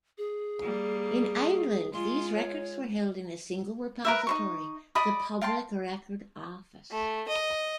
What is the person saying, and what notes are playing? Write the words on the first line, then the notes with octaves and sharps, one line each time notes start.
In Ireland, these records were held in a single repository, the Public Record Office.
G#4
G3 A#3
G#3 F4 C6
C#5
A#4 B4 E5
D#4 C5 C#6
D5 D#5 B5 D#6
F5 G5 A5 C6
A3
D#5